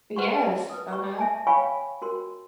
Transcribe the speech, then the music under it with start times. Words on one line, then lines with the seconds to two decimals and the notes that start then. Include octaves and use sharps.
Yes, uh-huh.
0.16 B4 C5 F#5 C6 C#6
0.70 B4 D#6
0.93 C#6
1.18 E5 G#5 A5
1.47 C#5 F5 G5 G#5 B5 C#6
2.02 F#4 A#4 C6